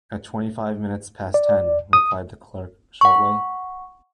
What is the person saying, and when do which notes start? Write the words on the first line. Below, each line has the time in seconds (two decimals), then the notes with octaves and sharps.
"At twenty-five minutes past ten," replied the clerk shortly.
1.34 D5
1.93 D#6
3.01 F#5 C#6